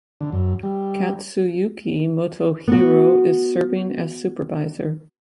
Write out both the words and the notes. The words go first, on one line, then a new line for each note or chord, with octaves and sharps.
Katsuyuki Motohiro is serving as supervisor.
D3
F#2
G3
B3 F#4